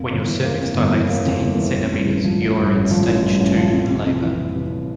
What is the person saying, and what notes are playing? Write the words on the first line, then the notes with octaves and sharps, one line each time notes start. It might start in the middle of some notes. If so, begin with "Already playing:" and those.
When your cervix dilates ten centimetres you are in stage two labour.
Already playing: F2 A#3
G1
E3
A#3
F2
G1
E3
A#3
F2
G1
E3
A1
G2
A1
F3
A1
G2
A1
F3
A1
G2
A1
F3
F2
C3
F2
E3
F2
C3